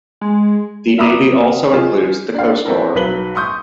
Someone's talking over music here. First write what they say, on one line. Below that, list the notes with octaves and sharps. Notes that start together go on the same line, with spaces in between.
The navy also includes the Coast Guard.
G#3
F4 E5 A#5 B5 D6 D#6
D#4 F4 G#4
D4 F5
B3 C4 E4 A4 A#4
B1 F#3 B4 B6 F#7 G7
C6 C#6 D#6 G6